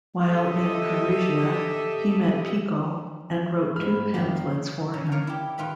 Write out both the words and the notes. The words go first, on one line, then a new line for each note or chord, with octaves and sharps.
While in Perugia, he met Pico, and wrote two pamphlets for him.
G4 A4 D#5 E5
G#2 B5 F6
F#1 D#3 A#3
C#3
D#4 A#4 C#5 D5 F5
E4 G4
D#3 F4 B4 E5 B5